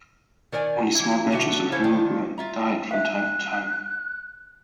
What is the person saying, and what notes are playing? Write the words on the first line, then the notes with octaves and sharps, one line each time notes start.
Only small batches of wool were dyed from time to time.
D#3 A#4 D5 G#5
E3 E4
B2 D3 F#4 E5
C#3 C#4 E4 A4 C5 F5
D3 D#3 F3 A3 D4
F4 E5 A#5
E5 F5 F#6